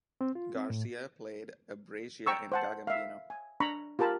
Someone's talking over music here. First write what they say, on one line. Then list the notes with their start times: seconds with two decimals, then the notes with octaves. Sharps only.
Garcia played Abresia in "Gagambino".
0.21 C4
0.35 F4
0.55 C4
0.70 A2
2.26 G5 A#5 C#6 E6
2.52 C5 F#5 A5
2.87 E5 F5
3.30 G#5
3.60 D4 A#5 B5 C#6
3.99 F4 G4 A#4 A5 B5